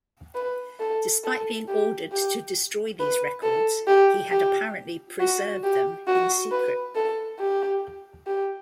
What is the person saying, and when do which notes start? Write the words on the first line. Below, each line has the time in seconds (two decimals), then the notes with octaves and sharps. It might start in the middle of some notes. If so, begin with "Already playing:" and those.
Despite being ordered to destroy these records, he had apparently preserved them in secret.
0.35 B4
0.80 A4
1.24 A4
1.68 G4
2.12 G4
3.00 B4
3.43 A4
3.87 G4
4.32 G4
5.20 F#4
5.63 G4
6.07 F#4
6.52 B4
6.95 A4
7.39 G4
8.27 G4